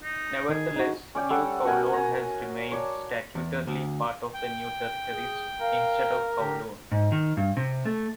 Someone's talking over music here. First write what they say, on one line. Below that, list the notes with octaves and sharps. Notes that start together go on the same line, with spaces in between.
Nevertheless, New Kowloon has remained statutorily part of the New Territories instead of Kowloon.
D#4
D#3 G#4
D#4 F#4
C#4 D5 G5
G3 A4 C#5 F#5
F#4 A#4 G#5 B5
G#5 A#5
C#5 D5 A5
E2
D2
G5
G#4
A#4 F5
D3 G4
G#2
D#3
G2
C3
A3